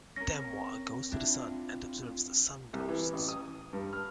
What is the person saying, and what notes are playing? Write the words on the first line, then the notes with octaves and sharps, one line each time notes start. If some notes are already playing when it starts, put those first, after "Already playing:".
Demwa goes to the sun, and observes the sun-ghosts.
C4 C#4 A#4 A#6
D4 E4 F4
C2
E3
A1
D#6
G2
F6